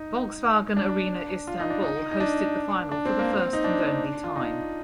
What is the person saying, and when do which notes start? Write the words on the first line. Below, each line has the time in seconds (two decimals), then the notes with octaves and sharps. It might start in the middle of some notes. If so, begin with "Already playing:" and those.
Volkswagen Arena Istanbul hosted the final for the first and only time.
Already playing: D#4
0.77 D4
1.47 F4
1.60 D#4
1.70 D4
1.83 D#4
2.11 D#4
2.20 D4
2.92 D4
3.05 C4
3.19 A#3
3.33 C4
3.53 D#4
3.64 D4
4.24 F4
4.36 D#4